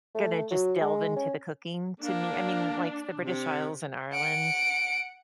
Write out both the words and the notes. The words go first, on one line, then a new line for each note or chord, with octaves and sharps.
gonna just delve into the cooking to me. I mean, like, the British Isles in Ireland,
A3
F#3
G#3
C#4
A#3 D4
C3
F#5 D7